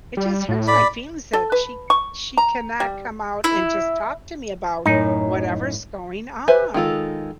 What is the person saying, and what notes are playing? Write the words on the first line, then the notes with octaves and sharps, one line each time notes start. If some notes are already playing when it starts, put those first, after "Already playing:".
It just hurts my feelings that she she cannot come out and just talk to me about whatever's going on.
G3
A2
D5 B5
A4
B4
C#6
A#5
G3
E4
F#2 A2 D#4
B4 C5 E5 G#5
D#3 G#3 F4 A4